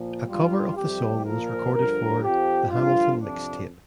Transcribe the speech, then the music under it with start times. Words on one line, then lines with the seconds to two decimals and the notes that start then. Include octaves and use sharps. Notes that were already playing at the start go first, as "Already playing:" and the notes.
A cover of the song was recorded for "The Hamilton Mixtape".
Already playing: A#2 F3
0.27 G2 G3 F4
0.75 F2 C3 G3 G4
1.24 A#2 F3 A#4
1.73 G2 D3 F3 A#4
2.21 F2 F3 G4
2.69 G2 D3 F3 F4
3.19 F2 C3 F3 D4